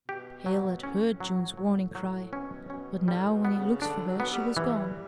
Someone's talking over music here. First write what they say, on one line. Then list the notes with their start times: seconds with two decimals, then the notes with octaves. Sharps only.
Hale had heard June's warning cry, but now when he looked for her she was gone.
0.08 B2 G4
0.46 B2 F#3
0.83 A2 C#4
1.20 F#3
1.57 F#3
1.95 F#3
2.33 B2 C#4
2.70 B2 C#4
3.08 A2 G3
3.32 B2
3.45 B3
3.58 C#3
3.82 D3 D4
4.07 F#3
4.20 B3
4.32 G3
4.57 E3 G3